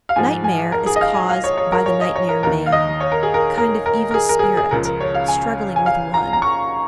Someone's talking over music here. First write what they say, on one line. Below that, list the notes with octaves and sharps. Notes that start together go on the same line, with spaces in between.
Nightmare is caused by the nightmare man, a kind of evil spirit, struggling with one.
F5
G#2 F3 G#5
G#5
A#4
G#4
D#5
F5
G#5
F5
C#5
C#5
A#4
C#5
D#5
C#5
A#4
D#2 D#3 A#4
F5
D#5
C#5
A#4
G#4
A#4
A#4
A#4
A#4
G#4
A#4
G#4
A#4
G#4
C#2 C#3 F3 A#4
A#4
C#5
F5
G#5
G#5
F5
A#5
A#5
C#6